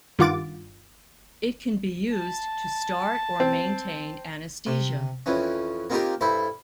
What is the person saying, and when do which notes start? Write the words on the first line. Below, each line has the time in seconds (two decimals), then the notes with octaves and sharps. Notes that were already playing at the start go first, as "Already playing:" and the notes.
It can be used to start or maintain anesthesia.
0.19 G2 D#3 F4 F#5 D6 A6
2.12 A5
3.40 C4
4.67 C3
5.26 F2 E3 C#4
5.90 A#3 C4 D#4 F4 G4 A#4
6.21 G2 E4 A4 C5